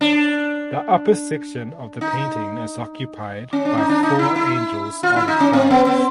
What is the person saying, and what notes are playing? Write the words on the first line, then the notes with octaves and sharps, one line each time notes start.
The upper section of the painting is occupied by four angels on clouds.
D4
D#4
C#4
D4
D#4
D4
D#4
E4
E4
F4
E4
D#4
C#4
C4
B3
B3